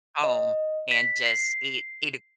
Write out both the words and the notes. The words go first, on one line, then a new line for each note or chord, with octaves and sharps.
home and just eat eat a
D#5
B6
C7